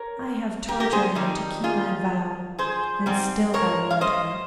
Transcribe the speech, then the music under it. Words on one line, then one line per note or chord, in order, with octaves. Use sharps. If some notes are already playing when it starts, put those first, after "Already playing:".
I have tortured her to keep my vow, and still I want her....
Already playing: A#4 C#5
G4 A#4
G4 A#4
G#4 C5
F2 D#3 G3 C4 D#4 G4
F4 G#4
G#4 C5
G#2 G3 C4
A#4 C#5
F5
C5 D#5